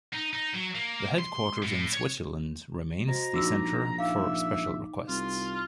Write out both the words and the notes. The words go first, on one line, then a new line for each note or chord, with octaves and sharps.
The headquarters in Switzerland remains the center for special requests.
D#4
D#4
F#3
A#3
C6
A2
C#5
F#4 C5 D#5 A#5
A#1 D#4 F#4 D6 E6
D#4 E5 F5 D6
C2 F4